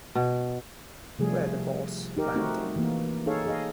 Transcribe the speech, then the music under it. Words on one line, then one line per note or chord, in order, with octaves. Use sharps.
Were the boats landing?
B2
C3 F3 G3 A3 G#4
D#4 G4 A#4
A3 C4 D#4 F#4
E3 A#3
D#4 G#4 A4 C#5 F5
G#4 D#5 F5